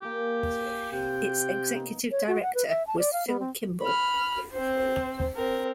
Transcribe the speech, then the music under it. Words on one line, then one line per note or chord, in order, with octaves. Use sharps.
Its Executive Director was Phil Kimball.
A#3 G4 G#5
C3 G5
B3 D#4
C#5
F#4
F#5
B4
E5
A5
D5
F5
B3
C4
B5 F6
C4 C5
C4 A#4